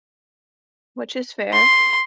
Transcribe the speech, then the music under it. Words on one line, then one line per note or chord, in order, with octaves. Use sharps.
which is fair.
C6